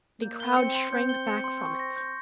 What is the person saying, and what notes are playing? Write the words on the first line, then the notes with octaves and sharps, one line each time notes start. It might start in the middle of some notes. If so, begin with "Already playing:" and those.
The crowd shrank back from it.
A#3 G6
G7
C4 C#7
C6
C4 G6
G7
C#7
C6
C#6
A#6
G6